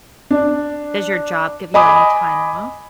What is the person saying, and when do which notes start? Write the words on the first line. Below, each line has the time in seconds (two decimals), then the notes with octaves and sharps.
does your job give you any time off?
0.31 D4
1.74 D#5 G#5 B5 D6 D#6